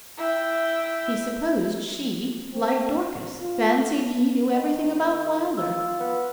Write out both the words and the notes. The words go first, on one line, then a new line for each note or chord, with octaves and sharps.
He supposed she, like Dorcas, fancied he knew everything about Wylder.
E4 G5
C4
F4
D#3
F4 E6
B3